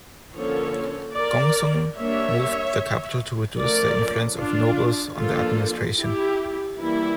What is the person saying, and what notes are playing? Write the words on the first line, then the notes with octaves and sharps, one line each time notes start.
Gongsun moved the capital to reduce the influence of nobles on the administration.
D3 F3 A#3 C#4 A4 C#5
A#4 D5
G3 A#3 D4 C#5 E5
F3 A3 C#4 A#4 D5
D4 F4
F3 A#3 D4 F4 A4
E4 G4
E3 G3 A#3 E4